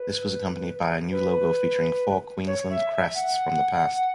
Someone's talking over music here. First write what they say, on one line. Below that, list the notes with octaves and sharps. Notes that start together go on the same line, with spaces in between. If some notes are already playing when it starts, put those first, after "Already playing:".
This was accompanied by a new logo featuring four Queensland crests from the past.
Already playing: B4
B4
C#5
E5
E5
F#5